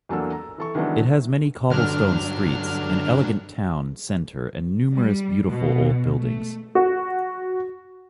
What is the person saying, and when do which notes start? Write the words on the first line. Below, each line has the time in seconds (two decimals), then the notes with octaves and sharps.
It has many cobblestoned streets, an elegant town center and numerous beautiful old buildings.
0.09 E2 F#3 A#3 D4 A4 E6
0.32 A#5
0.58 E3 A4 C#6
0.75 D#3 E3 F#3 G#3 B3 D4
1.70 G2 D3 F#3 D4 F6
4.93 G3
5.50 B2
6.19 A3
6.75 F#4